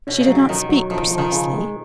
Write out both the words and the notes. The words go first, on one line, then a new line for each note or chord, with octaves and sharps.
She did not speak, precisely.
B2 C#4
C#3
F#3
B2
D#3 F#3
F#3
D#3 F3
F3
D#3
C#3
G#3